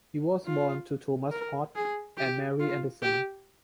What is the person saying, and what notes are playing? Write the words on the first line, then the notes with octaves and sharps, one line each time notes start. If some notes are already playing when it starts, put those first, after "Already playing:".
He was born to Thomas Hodge and Mary Anderson.
F4
A#4
G#4
G4
F4
G4